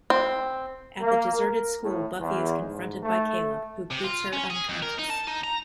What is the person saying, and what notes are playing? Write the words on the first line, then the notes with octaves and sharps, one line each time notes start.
At the deserted school Buffy is confronted by Caleb, who beats her unconscious.
C4
A#3
A#4
A2
E2
G#2
A3
C3
F4
C#4
G#4
F2
A#4
D#4
A5
D#4
A#5